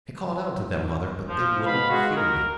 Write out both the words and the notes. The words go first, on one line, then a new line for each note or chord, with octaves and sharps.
"I called out to them, mother, but they wouldn't hear me."
F3
B2 F5 B5
G#3 F#4
A#4